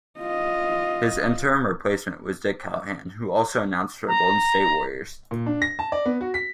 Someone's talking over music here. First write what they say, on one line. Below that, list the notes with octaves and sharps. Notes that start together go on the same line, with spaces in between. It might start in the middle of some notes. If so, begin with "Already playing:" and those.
His interim replacement was Dick Callahan, who also announced for the Golden State Warriors.
F4 D#5
A#5
A#2
D4
A#6
A5
D5
B3
F#4
B6